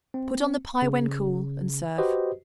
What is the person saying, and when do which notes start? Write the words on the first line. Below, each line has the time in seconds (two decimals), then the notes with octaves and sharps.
Put on the pie when cool and serve.
0.14 C4
0.82 C#3
1.98 F#4 G4 B4 C5 D#5